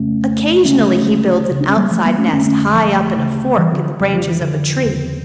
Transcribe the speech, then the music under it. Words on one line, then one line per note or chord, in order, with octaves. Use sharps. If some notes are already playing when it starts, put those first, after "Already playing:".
Occasionally he builds an outside nest high up in a fork in the branches of a tree.
Already playing: F2 C#3 A3 C#4
D2 C#3 A3 C#4
D2 C#3
D4
C#4
G3 A#3
F3 A3
G3 A#3
A3 C#4
D4
F2 D3 A3 C#4
A3 C#4
F3 A3
D2 C#3
E3 G3
D3 F3
F2 C#3 G3
F3
E3
D3 F3
E2 C#3